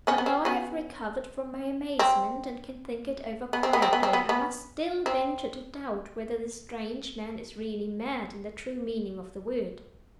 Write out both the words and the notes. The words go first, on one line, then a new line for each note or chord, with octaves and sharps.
But now I have recovered from my amazement, and can think it over quietly, I must still venture to doubt whether this strange man is really mad in the true meaning of the word.
B3 C#4
B3
C4
B3 C#4
C4
B3
C4
B3
C4
B3
C4
B3
B3
C4